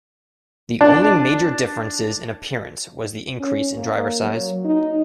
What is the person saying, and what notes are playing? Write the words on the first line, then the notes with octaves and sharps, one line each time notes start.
The only major difference in appearance was the increase in driver size.
D4
C#4
A#3
F#3
D#4